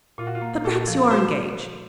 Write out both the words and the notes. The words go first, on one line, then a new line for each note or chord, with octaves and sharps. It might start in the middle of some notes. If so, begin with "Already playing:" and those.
'But perhaps you are engaged.
A#2 F4
F#4
F4
A#3
A#2 A4
F3
F#4 C5